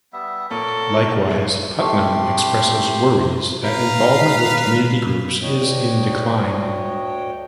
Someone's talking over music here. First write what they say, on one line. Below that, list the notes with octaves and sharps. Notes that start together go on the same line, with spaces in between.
Likewise, Putnam expresses worries that involvement with "community groups" is in decline.
G3 B3 E5
A#2 A4 A#4 C#5
B1 G#3 A3
C3 A3 G4 C6
B4 F5 A#5
D2 D4 C#5 D#5 G5